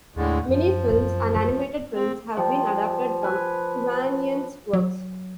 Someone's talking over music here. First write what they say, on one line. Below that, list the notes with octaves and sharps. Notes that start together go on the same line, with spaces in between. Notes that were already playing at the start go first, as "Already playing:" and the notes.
Many films and animated films have been adapted from Tumanyan's works.
D#2 A2 D3 G#3
F#2 F3
C4
F3 G3
B4 G#5
F#3